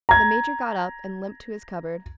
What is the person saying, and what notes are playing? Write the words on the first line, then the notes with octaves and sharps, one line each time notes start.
The Major got up and limped to his cupboard.
A#5 G#6